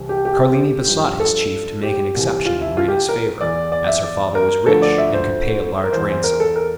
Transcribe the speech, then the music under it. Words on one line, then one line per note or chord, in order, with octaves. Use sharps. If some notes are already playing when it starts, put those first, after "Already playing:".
Carlini besought his chief to make an exception in Rita's favor, as her father was rich, and could pay a large ransom.
Already playing: C2 C3 E3
G4
G4
G2 F3
A4
G4
C2 C3 E3
F4
E4
F4
G4
A#4
E2 E3 D5
D5
E5
D5
A#4
D2 D3 F3 A4
D5
E5
C5
A#4
E2 E3 C5
C5
A#4
A4
A#4